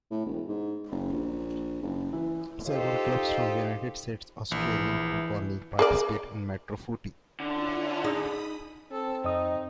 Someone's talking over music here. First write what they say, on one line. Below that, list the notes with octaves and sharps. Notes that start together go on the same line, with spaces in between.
Several clubs from the United States Australian Football League participate in Metro Footy.
A2
E1
G#2
F#1
A#1
F#1
E3
D#4 F4 G4 A4 C5 D#5
A#1 E3
G#4 A#4 D5
D3 C#4 E4 F4
D#4 G#4 B5 D#6
C4 A4
F2 D#4 D#5 D#6